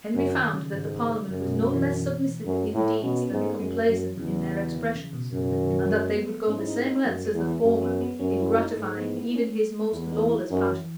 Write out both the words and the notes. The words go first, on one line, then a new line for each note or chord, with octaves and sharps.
Henry found that the parliament was no less submissive in deeds than complaisant in their expressions, and that they would go the same lengths as the former in gratifying even his most lawless passions.
F#2 C#3
D#3
C#3
G#2
F#2 C#3
B2
E3
F#2
A2
B2 C#4
B3
G#2
A3
F#2 G#3
F#2 F#3
E2 C#3
D#3
C#3
B2
F#2 C#3
D#3
F#3
G#3
B3
A3
G#2 C#4
E4
D#4
D#4
F#2 F#3
G#3
E2
F#2
B3
B3
F#2 C#4
E4
D#4
G#2 A3
B3
B3
C#4
E2 E4
D#4
E4
F#2 D#4
E3